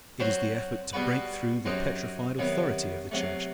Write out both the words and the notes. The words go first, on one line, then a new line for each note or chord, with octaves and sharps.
It is the effort to break through the petrified authority of the Church.
F#3 C4 F#4 C5
B2 G3 B3 F#4 B4
F#2 F#3 C4 D#4 G4
C3 D#3 F#3 B3
C3 F#3 A3